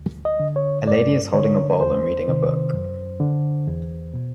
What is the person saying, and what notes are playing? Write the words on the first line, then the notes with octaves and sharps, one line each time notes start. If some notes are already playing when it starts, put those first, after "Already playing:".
A lady is holding a bowl and reading a book.
Already playing: D2
D#5
D3
C#5
G2 D5
D3 C#5
E2 C5
C3 D#3
F#2
D3
E2
B2